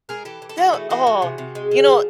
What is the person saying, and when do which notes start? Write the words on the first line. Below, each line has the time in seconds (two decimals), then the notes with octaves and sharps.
the oh, you know,
0.09 G#3 G#4 A#4
0.25 E3 G4 A4
0.42 E3
0.49 A4
0.57 E3 F#4 G#4
0.74 A3
0.90 E3 F#4 G#4
1.07 E3
1.22 C3
1.38 C3
1.55 G#3
1.71 C#3
1.88 F3